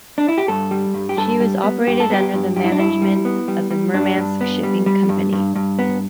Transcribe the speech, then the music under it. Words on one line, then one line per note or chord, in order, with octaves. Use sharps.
She was operated under the management of the Murmansk Shipping Company.
D4
E4
G4
G2 A4
G3
G2
G4
G2 A4
G3
B3
G2 G4
A4
B3 G4
G2
G2 G4
E4
D4
G2 E4
G3
B3
G3
G3
G2 D4
G2
B3
G3
G3
G2
G2
G2
B3